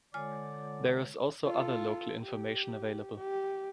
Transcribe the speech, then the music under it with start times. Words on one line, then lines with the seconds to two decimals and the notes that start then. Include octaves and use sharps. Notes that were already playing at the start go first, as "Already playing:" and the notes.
There is also other local information available.
0.14 D3 G#3 F4 C#5 D5 G#5 F6
1.45 F4 A4
2.20 G4
3.17 G4